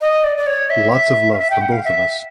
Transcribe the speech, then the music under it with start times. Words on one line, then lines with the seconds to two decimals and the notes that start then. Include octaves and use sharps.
Lots of love from both of us.
0.01 D#5
0.24 D5
0.37 D5
0.46 C#5
0.70 E5
0.92 E5
1.32 F5
1.38 E5
1.50 G5
1.61 F#5
1.72 F5
1.84 E5